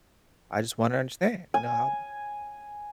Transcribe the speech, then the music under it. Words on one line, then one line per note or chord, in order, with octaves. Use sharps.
I just wanna understand, you know, how
G#5